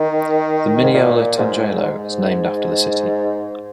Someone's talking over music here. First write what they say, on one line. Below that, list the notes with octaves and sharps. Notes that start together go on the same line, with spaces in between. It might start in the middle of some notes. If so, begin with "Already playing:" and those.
The Minneola tangelo is named after the city.
Already playing: D#3
G#2
A#2
G#2
G#2